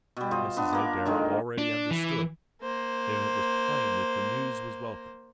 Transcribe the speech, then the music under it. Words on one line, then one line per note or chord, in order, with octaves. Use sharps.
But Mrs. Adair already understood; and it was plain that the news was welcome.
B2 G3
F4 C5 D#5
B3 D4
A#3 A#4 D6
D3 D#3 G#3
D4
E3
A#3 C5